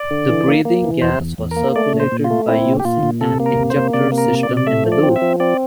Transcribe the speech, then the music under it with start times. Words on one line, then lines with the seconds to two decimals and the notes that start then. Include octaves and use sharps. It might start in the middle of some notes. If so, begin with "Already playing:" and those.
The breathing gas was circulated by using an injector system in the loop.
Already playing: D5
0.11 D3
0.29 E3
0.48 A#3
0.65 A#3
0.84 E3
1.02 E2 C5
1.20 E2
1.38 E2
1.51 A#4
1.57 A#3
1.76 A3 D5
1.93 A#2
2.00 C5
2.12 A#2
2.24 F4
2.30 A3
2.48 C4 E4
2.66 A#2
2.80 G4
2.85 A#2 F4
3.03 A#2
3.21 C3 A4
3.40 A#3
3.46 A#4
3.57 C3
3.70 C5
3.76 A#3
3.93 C3 D5
4.12 A#3
4.18 A#4
4.30 C3
4.43 D5
4.49 C3
4.57 D5
4.67 A3 E5
4.85 F3
4.92 D5
5.03 C4
5.16 E5
5.22 F3
5.40 C4 D5